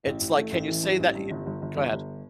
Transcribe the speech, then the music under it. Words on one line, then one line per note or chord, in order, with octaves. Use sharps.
It's, like, "Can you say that y" go ahead.
A1
A1
A3
A1
E3
G2
A1
G2
G1
G1
G1
G1
G1